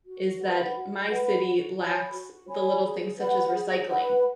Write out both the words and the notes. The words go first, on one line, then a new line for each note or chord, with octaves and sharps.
is that my city lacks the little things such as recycling,
F#4
B4 F#5 B5
F#4
B4 F#5 B5
F#4
C#5 G#5 B5
F#4
C#5 G#5 B5
G#4
B4 F#5 B5
G#4
B4 F#5 B5